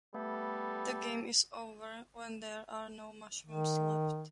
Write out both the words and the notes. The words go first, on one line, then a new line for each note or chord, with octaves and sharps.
The game is over when there are no Mushrooms left.
G3 A3 B3 A4
D#3